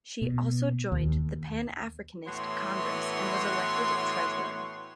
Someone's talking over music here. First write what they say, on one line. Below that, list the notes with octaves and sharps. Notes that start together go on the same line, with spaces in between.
She also joined the Pan Africanist Congress and was elected treasurer.
B2
D#2
A2 E3 B3 F#4 C#5 C6